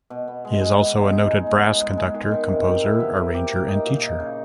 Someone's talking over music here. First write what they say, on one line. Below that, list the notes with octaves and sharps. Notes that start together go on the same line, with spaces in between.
He is also a noted brass conductor, composer, arranger and teacher.
B2
B3
G#3
G#3
B3
G#3
D#4
G#3
G#3
B3
G#3
G#3
D#3
D#3
C3
C3
E4
B3
A#4
G4
A#3
D#4
A#2
D#4
C#3